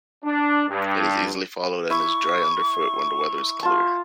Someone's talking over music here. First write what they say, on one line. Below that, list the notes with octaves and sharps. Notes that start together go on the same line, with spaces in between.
It is easily followed, and is dry underfoot when the weather is clear.
D4
G2
E4 C#6
F4 A5